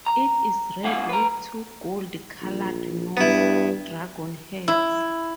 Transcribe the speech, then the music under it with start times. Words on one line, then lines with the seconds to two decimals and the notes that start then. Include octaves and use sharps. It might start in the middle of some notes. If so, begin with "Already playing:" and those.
It is red with two gold-colored Norse dragon heads.
0.06 A#5
0.84 A#2 G#3 F5 F#5
1.09 B4 A#5
2.42 A#1
3.17 G2 B3 E4
4.68 E4